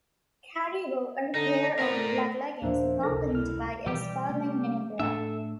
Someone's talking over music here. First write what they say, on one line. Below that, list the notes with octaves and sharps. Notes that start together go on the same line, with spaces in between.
Carey wore a pair of black leggings, accompanied by a sparkling mini-bra.
D3 D#4
C4 A#4 D5
A3
D#2 A#2 F3 A#3 D4 C5 E5
F1 C#2 A4 A#4 A#6
E4 F6
B2 E3 G3 G4
C3 A3 C#4
A2 A3 D4 A4 E5